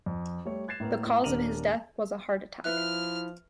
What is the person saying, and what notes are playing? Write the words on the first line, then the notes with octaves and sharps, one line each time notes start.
The cause of his death was a heart attack.
F2
G3 A3 G4 C#5
F#6 G#6 A6 C7 E7
A2 A#3 B3
A2 E4
D#1 D4 A#4 D#7 F7 F#7
F3 E4 B4 E5 F6 F#6